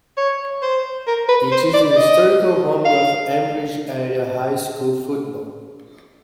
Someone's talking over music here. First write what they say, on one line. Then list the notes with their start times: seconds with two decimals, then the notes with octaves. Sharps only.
It is the historical home of Ambridge Area High School football.
0.18 C#5
0.63 C5
1.07 A#4
1.29 B4
1.52 C5
1.74 D5
1.90 D5
1.97 D#5
2.85 F5